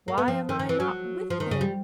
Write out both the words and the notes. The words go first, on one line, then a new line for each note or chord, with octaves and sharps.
Why am I not with him?
A#3
B3
F3
D#3
D#3
E3
F#3
F3
D#3
C#3
G3